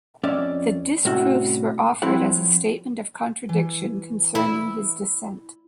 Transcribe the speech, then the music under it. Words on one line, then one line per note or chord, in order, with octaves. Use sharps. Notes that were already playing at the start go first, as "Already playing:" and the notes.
The disproofs were offered as a statement of contradiction concerning his descent.
F2 C#4 D5 E5
C2 A2 C#4 F#4 E5
F3 C4 E4 C#5 F#5
E3 G#5
E4